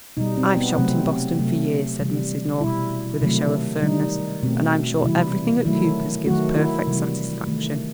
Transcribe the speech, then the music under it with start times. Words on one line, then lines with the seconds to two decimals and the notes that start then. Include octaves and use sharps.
"I've shopped in Boston for years," said Mrs. North, with a show of firmness, "and I'm sure everything at Cooper's gives perfect satisfaction."
0.17 B2 G3 D#4
0.37 C4
0.57 B3
0.78 C3 F#3 A3 C4
1.39 C3 F#3 A3
2.00 C3 E3 G3
2.61 B2 G3 E4
3.21 C3 D#3 F#3 A3
3.82 D#3 G3 D#4
4.43 B2 A3 C4
5.04 C3 E3 G3 E4
5.65 D#3 F#3 A3 E4
6.26 D#3 F#3 A3 F#4
6.56 E4
6.87 C3 E3 G3
7.47 D#3 A3